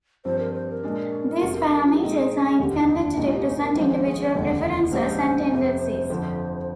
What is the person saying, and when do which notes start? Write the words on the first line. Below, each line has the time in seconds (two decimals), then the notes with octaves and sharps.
These parameters are intended to represent individual preferences and tendencies.
0.25 G2 F3 C4 C5
0.39 A#4
0.54 C5
0.69 A#4
0.83 A#2 G#3 D4
1.42 F1 F2 C3
1.85 F4
1.93 G4
2.00 A#2 G#3 C4 D#4 G#4
2.59 F1 D#2 D3 G4
2.78 D#4
2.98 D4
3.17 C2 A#2 G#3 D#4
3.26 F4
3.33 G4
3.47 C5
3.61 A#4
3.75 G#1 G#2 F3 C5
3.90 C5
4.05 G#4
4.20 C5
4.34 F1 D#2 D3 G#3
4.92 A#1 G#2 G3 C4 C5
5.51 F2 C3 F3
6.09 G1 F2 D3 F3 C5